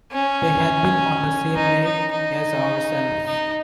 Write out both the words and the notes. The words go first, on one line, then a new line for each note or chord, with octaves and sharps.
They had been on the same lay as ourselves.
C#4
D#4
D#4
D#4
D#4